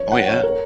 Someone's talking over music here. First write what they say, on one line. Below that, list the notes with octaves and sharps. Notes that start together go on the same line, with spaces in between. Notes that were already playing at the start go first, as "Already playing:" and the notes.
Oh, yeah.
Already playing: C#5
F#5
C#5
A#4